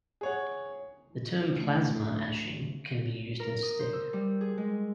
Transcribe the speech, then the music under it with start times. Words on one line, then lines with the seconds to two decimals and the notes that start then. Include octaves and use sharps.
The term plasma ashing can be used instead.
0.21 G#4 C#5 F#5
1.52 D2
3.40 A#4
3.62 D#6
3.79 C5
3.93 E6
4.13 G3
4.41 G#4
4.58 G#3